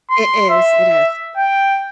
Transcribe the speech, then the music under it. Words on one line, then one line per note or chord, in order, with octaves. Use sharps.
It is, it is.
C6
E5
G5